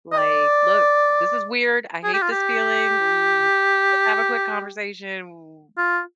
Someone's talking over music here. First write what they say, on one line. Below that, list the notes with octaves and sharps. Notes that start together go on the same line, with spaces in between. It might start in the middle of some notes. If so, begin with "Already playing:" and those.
like, "Look, this is weird, I hate this feeling, L let's have a quick conversation. W
D#5
D5
G#4
G4
F4
G4
F4